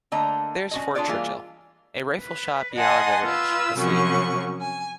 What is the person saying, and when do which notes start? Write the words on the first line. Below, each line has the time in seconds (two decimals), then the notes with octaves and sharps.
There's Fort Churchill, a rifle-shot beyond the ridge, asleep.
0.12 D3 A3 A#3 D#5 A#5
0.71 C#4 F#4 D#5
0.95 D4 F4 G#4 C#5 D5
1.07 E3 G3 G#3 A#3 F4
2.21 B4
2.75 D#5 F#5 G#5 A5 C6 D#6
3.24 F4 B4 E6
3.77 F#2 C3 F3 C#4 C#6
4.60 G#5